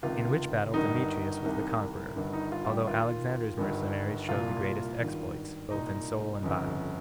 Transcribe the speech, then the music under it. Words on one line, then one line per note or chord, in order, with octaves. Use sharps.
In which battle Demetrius was the conqueror, although Alexander's mercenaries showed the greatest exploits, both in soul and body.
C#2 C3 D#3 F4
G1 G2 D#3 D#4
C2 C3 D#3
G1 G2 D#3
D#4
F4
F4
G3 G4
D#2 D#3 F4
G1 G2 D#3
C2 A#2 F4
G#1 G2 D#3
C2 A#2 D#4 D#5
G1 F2 C#3